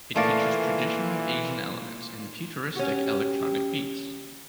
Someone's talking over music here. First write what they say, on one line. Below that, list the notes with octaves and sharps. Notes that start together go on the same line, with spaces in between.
It features traditional Asian elements and futuristic electronic beats.
A#2 E3 A3 D5 F5 A#6
C#4 F#4 G4